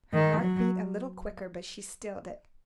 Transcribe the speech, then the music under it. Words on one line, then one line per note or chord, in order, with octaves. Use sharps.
Her heart beat a little quicker; but she stilled it.
D#3
F#3